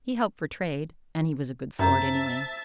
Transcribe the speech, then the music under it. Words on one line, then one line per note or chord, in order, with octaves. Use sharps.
He hoped for trade, and he was a good sort anyway.
F#2 C5 E5 A5 A#5